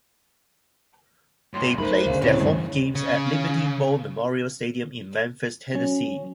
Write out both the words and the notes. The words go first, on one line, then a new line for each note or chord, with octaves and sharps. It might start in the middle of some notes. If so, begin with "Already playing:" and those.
They played their home games at Liberty Bowl Memorial Stadium in Memphis, Tennessee.
F#2 A2 C6
A3 D#4 A#4 C5 B5
D2 C#3 F5
A#2 C4 E4 G4 B4 C#5
G2 G#3 A3
C#3
F#3 C#4